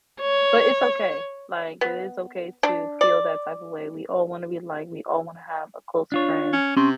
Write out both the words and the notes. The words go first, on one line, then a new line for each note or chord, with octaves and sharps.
but it's okay. Like, it is okay to feel that type of way. We all want to be liked; we all want to have a close friend.
C#5
B3
D4
D5
D4 F4 C#5
C#4
C3 C#4 C6